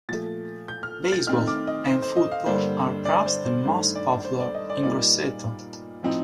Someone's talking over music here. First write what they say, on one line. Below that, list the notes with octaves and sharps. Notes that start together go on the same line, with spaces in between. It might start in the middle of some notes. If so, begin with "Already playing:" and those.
Baseball and football are perhaps the most popular in Grosseto.
A#2 F3 A3 A6
G6
F6
A6
D#3 A3 C4 D#4 F6
D6
D#5
C5
C5
D#5
F5
G2 D3 G3 A#3 D4 C5
D5
C5
C5
G2 D#3 A3 D4 C5
D5
C5
D5
D#5
D5
C5
A#2 G3 A#3 D#4 D5
A2 F3 C4 D#4